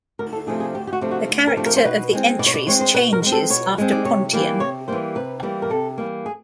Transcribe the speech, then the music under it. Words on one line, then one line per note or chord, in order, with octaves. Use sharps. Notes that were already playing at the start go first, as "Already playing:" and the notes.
The character of the entries changes after Pontian.
D2 A#4
A4
C3 F3 A3 D4 G#4
G#4
D2 G4
G4
F#4
C3 F3 A3 D4
F#4
D2
A#4
C3 F3 A3 D4
A#4
C5
B2 B4
G#3 C4
B2 D5
C#5
D5
G#3 C4 C#5
C5
B2 B4
A#4
G#3 C4
A4
B2 C#5
G#3 C4
D5
C3 C#5
E3 G3 A#3
C3 C#5
E3 G3 A#3 C5
C3 B4
E3 G3 A#3
A#4
C3 A4
E3 G3 A#3
G#4